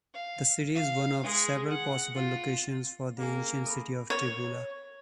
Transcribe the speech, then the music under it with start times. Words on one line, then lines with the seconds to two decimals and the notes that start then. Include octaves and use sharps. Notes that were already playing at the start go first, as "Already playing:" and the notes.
The city is one of several possible locations for the ancient city of Tibula.
0.14 F5
0.76 F5
1.23 G#3 G#4
1.70 F#5
2.17 F4
3.19 A#3 C#4 G#4 G#5
3.66 A4 B5
4.10 C#5